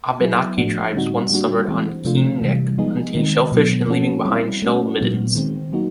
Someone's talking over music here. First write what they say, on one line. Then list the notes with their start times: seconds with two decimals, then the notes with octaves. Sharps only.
Abenaki tribes once summered on Keene Neck, hunting shellfish and leaving behind shell middens.
0.21 F#3 B3 E4 G#4
0.57 A2 F3 A3 D4 F#4
0.95 D3 G3 C4 D#4 F#4
1.31 G3 A#3 D4 F#4
1.68 E3 G#3 C4
2.05 C3 F3 A3 D4 F4
2.42 C3 E3 G3
2.78 F3 G#3 B3 D#4 G#4
3.15 D#3 G#3 C4 D#4
3.52 B2 F#3 B3
3.89 F3 A#3 C#4 F#4 A4
4.25 G3 C4 E4
4.62 A3 C#4 F#4
4.99 A#2 F#3 B3
5.35 D#3 G#3 C4
5.73 F#3 A#3 D#4 F#4